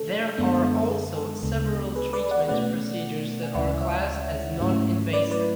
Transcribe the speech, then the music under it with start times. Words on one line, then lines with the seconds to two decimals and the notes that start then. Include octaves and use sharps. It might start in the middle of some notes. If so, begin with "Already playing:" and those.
There are also several treatment procedures that are classed as non-invasive.
Already playing: B2 A3 D4 A4
0.37 F#2 D3 G#3 B3 D4
0.83 A4
0.90 G#4
1.16 A4
1.43 D2 C#3 G#3 B3 D4
1.96 G#4 B4
2.13 B4 D5
2.31 D5 F#5
2.49 B2 A3 C#4 D5 F#5
3.43 G#5
3.55 D2 C#3 G#3 C#4 E4 D5 F#5
3.81 C#5 E5
4.60 G#2 F#3 A3 C#4 E4
5.13 B4 D5
5.31 B4 D5